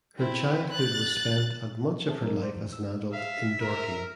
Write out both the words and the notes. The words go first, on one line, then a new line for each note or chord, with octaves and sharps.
Her childhood was spent and much of her life as an adult in Dorking.
C4 E4
F#6 A6
C4 G#4 A4 E5 A5
F#3 C4 D#4 F#4 A#4
C5 D5
F2 E3
E6
E5 F5
A#4